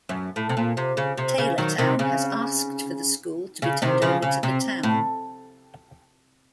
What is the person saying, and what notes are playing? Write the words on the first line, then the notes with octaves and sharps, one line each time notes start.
Taylortown has asked for the school to be turned over to the town.
F#2
A2
C3
A#2
C3
C#3
C3
C#3
D#3 F#3
C3 D#3
C#3
C#3
C3 D#3
C#3 F3
C#3
C3
A2